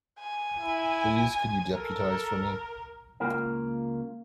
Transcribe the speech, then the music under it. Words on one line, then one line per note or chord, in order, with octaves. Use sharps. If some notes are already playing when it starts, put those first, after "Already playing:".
Please could you deputise for me?
G#5
E4
A4 A#4
C#2 A#3 F4 A#4 F5